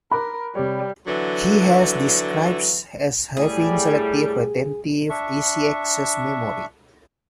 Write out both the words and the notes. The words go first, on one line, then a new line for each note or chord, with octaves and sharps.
He has been described as having Selective Retentive Easy-Access Memory.
A#4 B5 D6 F#6
C3 G3 G4 C#5
D3 E3 F#3
A2 G3 G#4
D4 E5 C#6